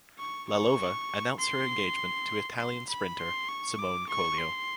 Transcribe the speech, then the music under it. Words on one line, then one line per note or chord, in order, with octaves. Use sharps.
Lalova announced her engagement to Italian sprinter Simone Collio.
C#6
C#6
C6
C6
B5
C6
C#6
D6
C#6
C6